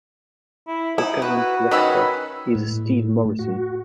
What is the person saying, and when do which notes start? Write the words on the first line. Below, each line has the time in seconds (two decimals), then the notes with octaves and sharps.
The current Rector is Steve Morrison.
0.68 E4
0.98 D#4 E4
1.22 F#4 B4
1.71 D#3 C#4 B4 B5 E6
2.55 A2
3.39 F#4